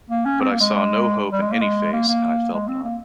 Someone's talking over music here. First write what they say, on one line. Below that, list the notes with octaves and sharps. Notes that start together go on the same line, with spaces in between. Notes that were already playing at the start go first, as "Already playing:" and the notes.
But I saw no hope in any face, and I felt none.
A#3
C#4
C4
A#3
G#3
G3
G#3
A#3
G#3
A#3
A#3
G#3
C4
A#3